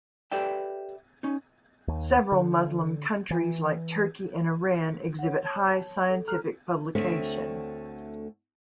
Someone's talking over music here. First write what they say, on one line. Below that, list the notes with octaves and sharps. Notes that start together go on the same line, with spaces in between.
Several Muslim countries like Turkey and Iran exhibit high scientific publication.
G4 A4 B4 D5 E5 G5
C#4 D#4
D#2
D3
E3
C#5 F#5
C#5 A5
A4
A4 A#5 F6 F#6
D2 D3 A3 C4 C#5 E5